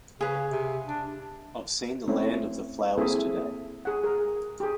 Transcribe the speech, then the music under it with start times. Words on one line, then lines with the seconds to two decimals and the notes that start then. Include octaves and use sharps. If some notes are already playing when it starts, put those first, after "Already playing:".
I’ve seen the land of the flowers today.
0.21 C#3 G#4 B4
0.51 C3
0.87 D4
2.08 A3 C4 C#4 E4
2.98 A#3 C4 E4 G#4 A4 E5
3.85 G#4 F#5
4.03 G#4 A#4
4.60 G4 G#4